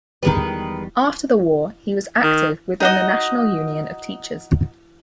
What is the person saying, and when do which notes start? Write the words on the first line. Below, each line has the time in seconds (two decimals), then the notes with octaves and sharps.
After the war he was active within the National Union of Teachers.
0.23 E2 D#3 G3 G#3 B4
2.23 D#3
2.80 D#4 F#4 D#5